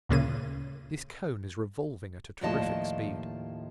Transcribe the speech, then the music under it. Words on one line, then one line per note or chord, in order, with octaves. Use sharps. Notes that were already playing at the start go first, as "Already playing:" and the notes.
This cone is revolving at a terrific speed.
D2 A#2 C#3 D#7
D#2 A2 F3 D5 D#5 A5